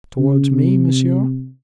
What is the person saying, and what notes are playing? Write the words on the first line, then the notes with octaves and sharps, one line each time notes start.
"Towards me, monsieur?"
C#3
C3